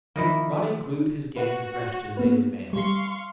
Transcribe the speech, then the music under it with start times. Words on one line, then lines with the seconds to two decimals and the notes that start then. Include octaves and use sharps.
Roddy glued his gaze afresh to the Daily Mail.
0.16 D#3 F3 A#3 D#4 E4
1.36 F#4 B4
2.17 A#3 B3 B4
2.73 G3 F5 C6 C#6